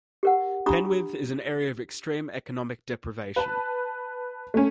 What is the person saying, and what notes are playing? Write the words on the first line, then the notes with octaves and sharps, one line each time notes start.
Penwith is an area of extreme economic deprivation.
G4 A#4 F#5
D4 G4 A#5 B5 C#6 D#6
B4 A5
A3 C#4